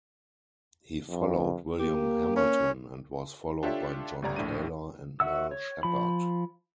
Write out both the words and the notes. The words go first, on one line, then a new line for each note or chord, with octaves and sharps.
He followed William Hamilton and was followed by John Taylor and Mel Sheppard.
F2
A#3 G4
C#4
D4 F4 G4 A4 C#5 E5
G1 D2 G3 D5 A#5 G#6
A#1 A2 D4 D#7
F#4 E5 F#5 E6
C#5
F3 B5